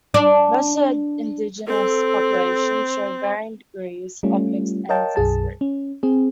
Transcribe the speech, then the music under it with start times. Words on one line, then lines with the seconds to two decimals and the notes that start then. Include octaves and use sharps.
Most of the indigenous population show varying degrees of mixed ancestry.
0.14 D4
1.67 C4 A4
4.23 G3 A3 C#4 F4
4.89 A#4 C#5 D#5 F5 G5 A5
5.16 B1 F#2 G#4 A5
5.61 C#4
6.03 C4 G#4